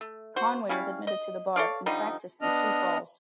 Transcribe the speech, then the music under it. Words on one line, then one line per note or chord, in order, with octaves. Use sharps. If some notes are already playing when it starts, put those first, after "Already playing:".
Conway was admitted to the bar and practiced in Sioux Falls.
A3
F#4 C5
G3 C#4 E4 F5
D#5
A4 C#5 D5 F5
D3 F3 G3 D#4
B3 D4 D#5 F6